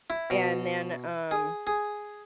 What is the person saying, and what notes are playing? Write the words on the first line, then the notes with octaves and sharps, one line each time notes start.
and then, um,
E4
B2
G#4
G#4